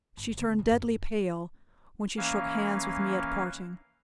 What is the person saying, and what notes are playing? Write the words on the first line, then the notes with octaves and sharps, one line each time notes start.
She turned deadly pale when she shook hands with me at parting.
G1
D3 B3
F#2 D3
F#2
E3 A#3 C#4 F5